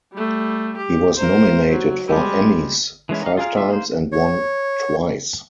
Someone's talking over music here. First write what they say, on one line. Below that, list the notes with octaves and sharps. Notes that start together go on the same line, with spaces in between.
He was nominated for Emmys five times and won twice.
G3 A3
G4
A#4 C5
F#3
G3 G#3
E3 G#3 C#4 E4
D#4 F5
F4 G#4 A#4 F5
F4 E5
A#3 C5
C#5